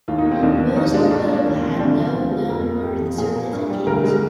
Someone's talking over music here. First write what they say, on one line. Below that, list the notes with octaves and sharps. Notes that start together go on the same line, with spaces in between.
Muslimov had no known birth certificate.
D#2 F4
D#4
A#3
C4
D#2 D4
F3
D#2 D#4
G#3 D4
G2 D4
D4
A#3
D4
D#2
F3
C4
D2 D4
F3
D2 F4
G#3
F2 A#4
A#3
F2 G4
F3
A#2 G#4
A#3
G2
G3
D2 A#4
G#3